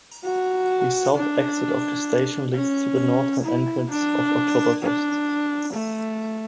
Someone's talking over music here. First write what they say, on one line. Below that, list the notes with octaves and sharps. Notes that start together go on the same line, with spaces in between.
The south exit of the station leads to the northern entrance of Oktoberfest.
F#4
D4
C#4
E4
D4
D4
A3